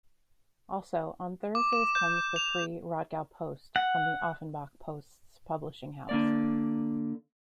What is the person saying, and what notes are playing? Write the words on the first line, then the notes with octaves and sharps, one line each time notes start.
Also, on Thursdays comes the free "Rodgau-Post" from the "Offenbach-Post's" publishing house.
D6
E7
G6
F7
F#5
D3 A#3 D5